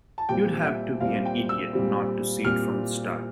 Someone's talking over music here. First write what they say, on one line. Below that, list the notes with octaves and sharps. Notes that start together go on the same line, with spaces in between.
You'd have to be an idiot not to see it from the start.
A5
A#2 G3 C4 G5
E5
A#2 G3 C4 F5
G5
E6
A#2 G3 C4
A#2 G3 C4 F6